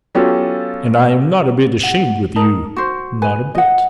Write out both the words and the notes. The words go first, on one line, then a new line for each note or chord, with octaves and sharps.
And I am not a bit ashamed with you, not a bit.
F#3 B3 C#4 F4 G4 A4
F#5
D#4 A#4 D#5 A5
F#4 C5
B4 G#5
D#5 F#5